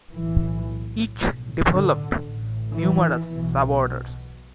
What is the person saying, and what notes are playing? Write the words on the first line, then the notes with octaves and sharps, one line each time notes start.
Each developed numerous sub-orders.
B1 A2 E3
B1 A2
D3
A1 A2
E3
B1 B2